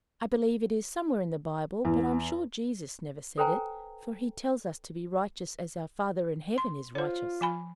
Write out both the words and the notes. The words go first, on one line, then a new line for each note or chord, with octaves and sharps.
"I believe it is somewhere in the Bible, but I am sure Jesus never said it, for he tells us to be righteous as our Father in heaven is righteous."
E2
A4 B4 C5 G5 G#5 A#5
C6
F4 C5 C#5
F3 G#5 B5